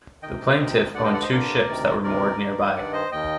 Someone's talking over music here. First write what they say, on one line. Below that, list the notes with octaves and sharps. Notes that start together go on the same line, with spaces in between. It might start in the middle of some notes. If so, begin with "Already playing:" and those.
The plaintiff owned two ships that were moored nearby.
D2 C3 D#3 D#5 G5
D2 C3 D#3
G2 D3 D5 F#5
D#5 G5
D5 F#5
C5 D#5
G2 D3 A#4 D5
D2 C3 D#3
D2 C3 D#3 A#4 D5
G2 D#3
G2 D#3 D5 F#5
C5 D#5
D#2 D#3 D#5 G5